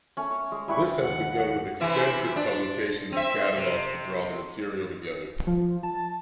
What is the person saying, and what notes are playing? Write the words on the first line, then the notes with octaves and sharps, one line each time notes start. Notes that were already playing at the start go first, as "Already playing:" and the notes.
This has begun with extensive publications of catalogues to draw the material together.
A3 C#4
C#5
G#3
G3 E4 B4 C#6
D#2 F#5
C3 E3 E4
D4
C4 E5
C3
F3
A5